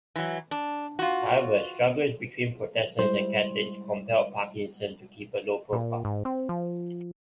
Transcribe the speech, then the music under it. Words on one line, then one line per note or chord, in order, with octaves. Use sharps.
However, struggles between Protestants and Catholics compelled Parkinson to keep a low profile.
E3 F#3
D4
F4 F#4
G3 G#3 E4 C5
A#2
G#2
C4
F3